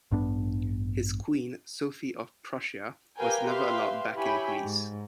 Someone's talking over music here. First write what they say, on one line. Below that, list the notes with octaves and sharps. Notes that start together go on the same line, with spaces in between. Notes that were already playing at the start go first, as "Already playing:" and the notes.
His queen, Sophie of Prussia, was never allowed back in Greece.
A1 G2 B3 D4
G4 A#4 B4 F5 G5 G#5
G4 B4 E5 F5 C6
E4 G4 C#5 G5 G#5 B5
G#2